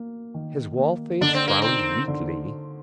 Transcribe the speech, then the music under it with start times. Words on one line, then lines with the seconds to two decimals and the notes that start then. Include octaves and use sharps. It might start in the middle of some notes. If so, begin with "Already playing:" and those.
His wallface frowned weakly.
Already playing: A#3
0.34 D#3
0.77 A#3
1.21 D3 D4
1.34 C4
1.48 A#3
1.62 C4 D#4
2.08 D3